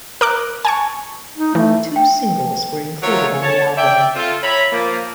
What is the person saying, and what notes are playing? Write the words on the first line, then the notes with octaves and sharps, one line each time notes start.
Two singles were included on the album.
A#4 D6 F#6
G#5 A5 C#6
D#4
E3 A3
G5
F#3 A3 F4 A#4 C5 C#5
C#5 A5
D5 E5 G5
A3 C4 F4
C#5 E5 A#5 B5
F3 A#3